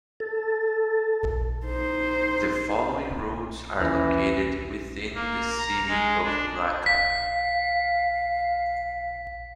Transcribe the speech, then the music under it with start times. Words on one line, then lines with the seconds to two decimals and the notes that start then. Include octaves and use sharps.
The following routes are located within the city of Milaca.
0.20 A4
1.66 D#4 C5
3.80 D#2 E3 C#4 A#6
5.15 A#3
5.58 A#5
5.88 G#3
6.24 D4
6.86 F5 B6